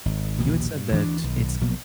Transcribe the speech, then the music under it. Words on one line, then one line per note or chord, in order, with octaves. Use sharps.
you had said that it's
G#1
A#1 D#2 B2
G2
D2 E3 B3 D4
B1 D#3
A#1 B2 F#3 A#3